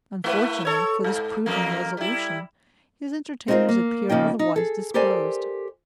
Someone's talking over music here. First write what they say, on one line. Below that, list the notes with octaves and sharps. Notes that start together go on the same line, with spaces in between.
Unfortunately for this prudent resolution, his entertainers appeared otherwise disposed.
A3 E4 B4
A4 C#5
G#2
F2 A#3
G3 E4
C4 D#4 F4 G#4 A#4 C5
A#3
C#3 F3 A#3 D#4 G5
D#4
G#4 A4
G4 A4 A#4 C5 D5 G#5